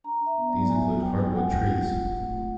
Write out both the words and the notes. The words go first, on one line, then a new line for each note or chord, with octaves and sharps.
These include hard-wood trees.
D4 A#5
D4
E5
B3
F#3 D5
F#4 G#5
F#4
G#3 G5
G#3
G#3 F#5
F4
F4
G#3
C4
A3
F4